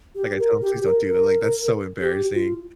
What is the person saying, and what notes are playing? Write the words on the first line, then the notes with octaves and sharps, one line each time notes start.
Like, I tell him, "Please don't do that. Like, that's so embarrassing."
G4
A#4
G4
A#4
A#4
G4
G4
F4